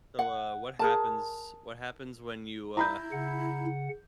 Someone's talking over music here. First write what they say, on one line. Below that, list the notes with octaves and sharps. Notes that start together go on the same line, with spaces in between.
So, uh, what happens what happens when you, uh,
F#5
G#4 A#4 A5
E4 A#5 B5 G6
C#3 F#5